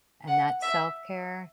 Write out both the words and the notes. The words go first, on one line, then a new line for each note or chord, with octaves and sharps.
and that's self-care,
F#5
E5